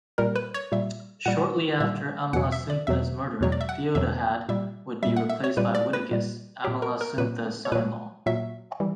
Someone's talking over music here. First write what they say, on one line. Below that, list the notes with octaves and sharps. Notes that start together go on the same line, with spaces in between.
Shortly after Amalasuntha's murder, Theodahad would be replaced by Witigis, Amalasuntha's son-in-law.
A#2 G3 A#4
B4
C#5
A#2 G3 E5
A#2 G3 F#5
A#2 G3 E5
E2 B2 F#3 F#5
E5
D5
E2 B2 F#3 E5
E2 B2 F#3 C#5
D5
E5
F#5
E2 B2 F#3 E5
A#2 G3 E5
A#2 G3 E5
F#5
E5
C#5
A#2 G3 B4
D5
B4
A#2 G3
A#2 F#3 G4
A#4
A#4
A#2 F#3 B4
C#5
A#2 F#3 B4
A#2 F#3 E5
E3 G3